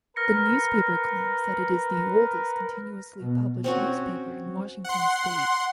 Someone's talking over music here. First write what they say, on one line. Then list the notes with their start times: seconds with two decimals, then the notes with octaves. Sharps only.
The newspaper claims that it is the oldest continuously published newspaper in Washington state.
0.16 A#4 B4 F6 A#6 C#7
3.20 B2
3.64 C4 C#4 F#4
4.84 F#5 C6